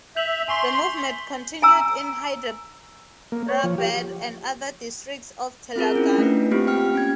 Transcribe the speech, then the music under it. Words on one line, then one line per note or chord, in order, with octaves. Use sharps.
The movement continued in Hyderabad and other districts of Telangana.
E5 G6 F7 F#7
G#5 C6 C#6 B6
G#5 A#5 E6
A#3
C#5
F3
G4
C4 F4 G#4 A#4
C#4 E4
A3 D4 E4 B4
A#3 C4 F4 G4
G5 F6
C#4 G#6